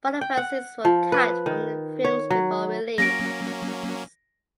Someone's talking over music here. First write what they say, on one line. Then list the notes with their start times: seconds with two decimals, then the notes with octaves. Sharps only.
Both of her scenes were cut from the films before release.
0.21 G5
0.37 F#5
0.85 F3
1.12 B4
1.46 D#3
2.05 C#5
2.31 F#3
2.98 F#3 A#3 C#4 A#6 D7